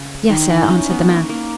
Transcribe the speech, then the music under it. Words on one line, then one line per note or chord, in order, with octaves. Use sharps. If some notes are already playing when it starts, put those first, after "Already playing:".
"Yes, sir," answered the man.
Already playing: C#3
D#3
E3
D#4
C#4
B3
A#3
A#3